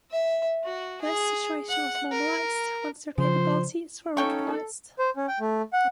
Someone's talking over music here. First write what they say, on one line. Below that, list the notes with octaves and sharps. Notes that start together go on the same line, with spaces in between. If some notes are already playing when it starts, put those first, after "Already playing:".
This situation was normalised once their capabilities were recognised.
E5
F#4
G#4
F#5
A#4
C#3 F3 C5
C#3 C#4 D#4 A4 G5 C#6
C5
C#4
G5
A3
F#5